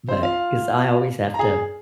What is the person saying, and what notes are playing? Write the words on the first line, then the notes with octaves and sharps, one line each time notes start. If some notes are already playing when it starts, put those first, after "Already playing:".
but 'cause I always have to,
C4 C5
F4 F5
A#5
G#4 G#5